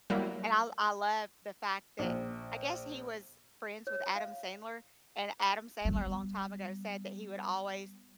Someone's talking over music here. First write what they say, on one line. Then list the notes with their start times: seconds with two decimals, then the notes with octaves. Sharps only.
And I l I love the fact that I guess he was friends with Adam Sandler, and Adam Sandler a long time ago said that he would always,
0.10 F#3 G3 A#3 E4
1.99 A#1
3.87 C#5
4.16 F5
5.85 G3 B3